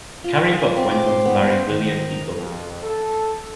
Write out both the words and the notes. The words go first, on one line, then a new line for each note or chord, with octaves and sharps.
Carrie Buck went on to marry William Eagle.
F4
G#4
F4
C4
D6
C6
B3
C5
D#3
D#5
A#5
F2
A4